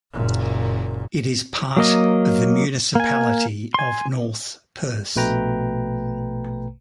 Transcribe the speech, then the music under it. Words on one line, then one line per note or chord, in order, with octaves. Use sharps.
It is part of the Municipality of North Perth.
F#1 A#2
F#3 A#3 D#5
A#3 G#5
G#5 C6
A#1 B2 A3 B4 G5 A#5